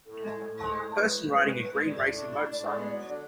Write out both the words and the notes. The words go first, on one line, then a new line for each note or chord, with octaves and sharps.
Person riding a green racing motorcycle.
A2 A4
G#3
A2
A2
G#3
A2
G#3 B4
A2
A2
A2
A2
G#3
A2 D5
A2
D4
D4
A2
G#3
B3
F#3
D3